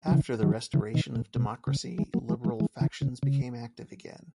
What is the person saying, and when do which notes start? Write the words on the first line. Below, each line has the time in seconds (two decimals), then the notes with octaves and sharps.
After the restoration of democracy liberal factions became active again.
0.08 F#3
0.11 C#3 E3
0.43 D#3 F#3
0.74 C#3 E3
0.94 B2 D#3
1.16 A#2
1.36 B2
1.67 C#3
1.98 E3 G#3
2.14 F#3 A#3
2.29 E3 G#3
2.44 E3 G#3
2.60 E3 G#3
2.81 C#3 E3
3.02 C#3
3.23 C#3